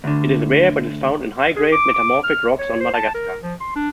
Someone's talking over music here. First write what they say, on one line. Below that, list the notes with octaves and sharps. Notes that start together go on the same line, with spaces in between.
It is rare, but is found in high-grade metamorphic rocks on Madagascar.
D2 D3
G#4
D6
D6
F6
C#5
C5
A5
A#4
F3
C6
D4